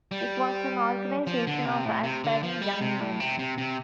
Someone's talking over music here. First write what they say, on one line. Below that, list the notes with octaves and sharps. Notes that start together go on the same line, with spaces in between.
It was an organization of aspiring young men.
G3
F3
D3
C3
A2
C3
D3
F3
G3
C3
A2
C3
C3
C3